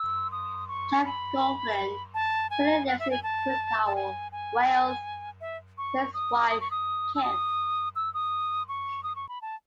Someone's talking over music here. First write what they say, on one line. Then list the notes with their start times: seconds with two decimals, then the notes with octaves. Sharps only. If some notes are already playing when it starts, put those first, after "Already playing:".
Jeff Gulvin currently lives in Crickhowell, Wales, with his wife Kim.
Already playing: E6
0.32 D#6
0.68 C#6
1.05 B5
2.14 A5
2.50 G#5
2.87 F#5
2.99 E5
3.11 G#5
3.23 A5
3.86 A5
3.95 G#5
4.32 G#5
5.41 E5
5.78 C#6
6.14 D#6
6.50 D#6
6.61 C#6
6.71 D#6
7.15 E6
7.23 D#6
7.96 E6
8.14 D#6
8.69 C#6
9.03 D#6
9.16 C#6
9.29 B5
9.42 A5